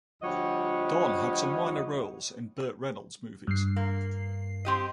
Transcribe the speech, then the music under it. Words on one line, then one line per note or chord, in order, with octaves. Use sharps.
Don had some minor roles in Burt Reynolds movies.
D2 F3 G3 C#5 D#5 F#5
G2 C7
A#3
C4 G4 D#5